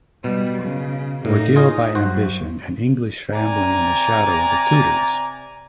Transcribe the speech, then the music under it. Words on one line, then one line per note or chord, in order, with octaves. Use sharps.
"Ordeal by Ambition: An English Family in the Shadow of the Tudors".
B2 G3
C#3
A2 A#3 D#4
F4 G#4 D#5
G2 F#3 F#4 C5
C3 D5 G#5 A#5